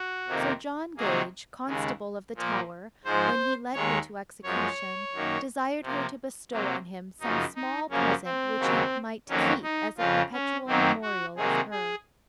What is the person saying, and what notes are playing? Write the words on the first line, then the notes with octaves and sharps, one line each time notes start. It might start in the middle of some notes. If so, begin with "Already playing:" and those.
Sir John Gage, constable of the Tower, when he led her to execution, desired her to bestow on him some small present which he might keep as a perpetual memorial of her.
Already playing: F#4
F2 C3 D#3 A#3
C3 D#3 F#3 A#3 G#4
D#2 C#3 G#3
A#2 F3 A#3
G#2 F3 G#3 C5
D#2 D#3 G#3 C#5
F#2 F3 G#3 C#5
F#2 D#3 A#3
C3 F3 A#3
C3 F#3 A#3
F#2 C#3 F3 D#4
D#4
F#2 C#3 F3 A#3 C#4
C4
D#2 C#3 F#3 A#3
F2 D#3 F#3 A#3 C#4
D#4
F2 C#3 F3 F4
C#4
F#2 D#3 F#3 A#3 C4
F#4
C3 D#3 F#3 A#3 G#4
G#4